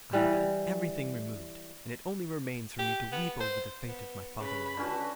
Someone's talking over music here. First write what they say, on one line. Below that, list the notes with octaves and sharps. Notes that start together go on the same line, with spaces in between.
I have had everything removed, and it only remains for me to weep over the fate of my fatherland.
E3 G3
G4
B3
C5
B3
C#3 B4 B5
C#2 D3 C#4 F#4 B4